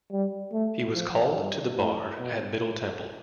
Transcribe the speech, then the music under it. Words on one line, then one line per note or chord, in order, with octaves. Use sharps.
He was called to the Bar at Middle Temple.
G3
A3
F3
G2
A2
B2
A2